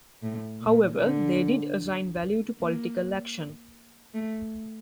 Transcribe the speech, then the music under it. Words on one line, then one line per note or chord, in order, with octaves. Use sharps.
However, they did assign value to political action.
A2
A#2
D3
A#3
A3